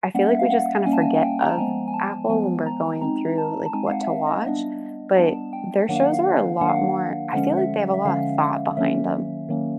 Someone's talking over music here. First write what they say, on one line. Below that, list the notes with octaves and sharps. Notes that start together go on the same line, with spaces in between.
I feel like we just kinda forget of Apple when we're going through, like, what to watch, but their shows are a lot more I feel like they have a lot of thought behind them.
G3 A#3 C#4 F#5
E5
F5
F#5
G3 A#3 C#4 G#5
A5
G#5
G#5
G5
A#5
A5
F3 G#3 B3 G#5
G#5
A5
F3 G#3 B3 G#5
A#5
G#3 C4 D#4 A#5
A5
A5
G#3 C4 D#4 G#5
F5
F#5
E5
F5
D#5
G3 B3 D4
G3 B3 D4 A5
G5
D#3 F#3 A#3 D4 F#5
F5
F#5
F5
F5
D#3 F#3 A#3 D4 F#5
F5
F#5
D3 F3 G#3 C#4 F#5
E5
E5
D3 F3 G#3 C#4 F5
D#3 F#3 A#3 C#4 E5
D#3 F#3 A#3 C#4